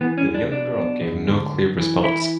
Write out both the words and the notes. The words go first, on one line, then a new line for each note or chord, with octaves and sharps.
The young girl gave no clear response.
E3 B3
C#4
E2
D4
B1 D4
B2
E2
D3
F#2
E3
E3 E4